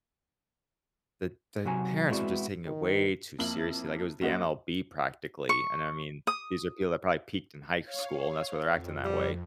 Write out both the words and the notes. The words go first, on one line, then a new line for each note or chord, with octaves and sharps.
the the parents were just taking it way too seriously, like it was the MLB practically, and, I mean, these are people that probably peaked in high school, and that's why they're acting that way.
C3 F#3 F#4 G#5 A#5
G#3 B3 C4 E4 F#4 D5
D#3
F2 A#3 E4 F#7
F#2 A#3 F#4 D#5
C#6
D#6
C#5 F5
F2
G3